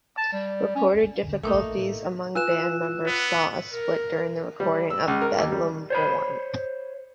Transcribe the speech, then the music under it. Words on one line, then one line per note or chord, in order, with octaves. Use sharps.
Reported difficulties among band members saw a split during the recording of "Bedlam Born".
A5
G3
C#4
D3
A1 A3 A#3 D#4
A2
F4 B4 G#5 E6 F#6 E7
B3
A#4
G3
E6
C#2
A#4
D#2
G3
C5 C#5 B5